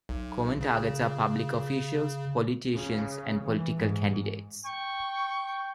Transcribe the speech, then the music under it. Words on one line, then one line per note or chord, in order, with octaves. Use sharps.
Common targets are public officials, politicians, and political candidates.
B1
C#3
C#3
E3
G#2
G5 C#6